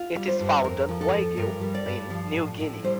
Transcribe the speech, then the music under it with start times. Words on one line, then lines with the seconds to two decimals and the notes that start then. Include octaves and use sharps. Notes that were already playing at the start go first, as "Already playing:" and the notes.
It is found on Waigeo in New Guinea.
Already playing: F4
0.15 G3
0.28 C5
0.40 G2
0.64 F2 A#4
0.89 F3
1.01 A4
1.13 F2
1.37 G2 A#4
1.61 G3
1.75 D5
1.86 G2
2.10 F3
2.36 A2
2.60 A2
2.84 G3 C5